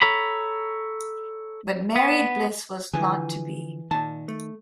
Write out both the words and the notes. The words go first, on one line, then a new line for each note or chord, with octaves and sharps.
But married bliss was not to be.
A4 C#5 A#5 B5
B3
D3 E3 F3 G#4
A#2 D#3 A5
A3